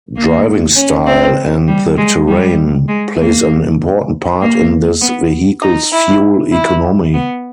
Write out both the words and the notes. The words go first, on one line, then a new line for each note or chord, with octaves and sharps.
Driving style and the terrain plays an important part in this Vehicle's fuel economy.
A#3
C#4
C4
G3
G#3
G3
G#3
A#3
A#3
B3
D#4
E4
E4
B3